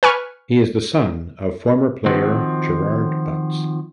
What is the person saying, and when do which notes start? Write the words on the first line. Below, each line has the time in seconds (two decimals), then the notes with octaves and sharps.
He is the son of former player Gerard Butts.
0.03 B4 G#5 C#6 F6
2.06 D#3 F3 C4 F#4